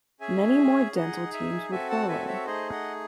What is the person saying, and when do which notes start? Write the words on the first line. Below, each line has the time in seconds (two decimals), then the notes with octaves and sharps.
Many more Dental teams would follow.
0.20 C#4 G#4 E5 G#5
0.96 D#4 G#4 D#5 F#5
1.33 E5 G#5
1.71 C4 F#4 A4 E5 G#5
1.90 F#5 A5
2.09 E5 G#5
2.27 C#5 E5
2.46 A3 D#4 G#4 C5 D#5
2.71 D#5 F#5